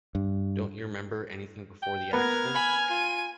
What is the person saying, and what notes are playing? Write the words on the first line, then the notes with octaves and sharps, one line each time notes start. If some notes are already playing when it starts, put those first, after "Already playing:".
Don’t you remember anything before the accident?
G2
G5
B3 A#4 F6 G#6
G#5 B5
F4 D#7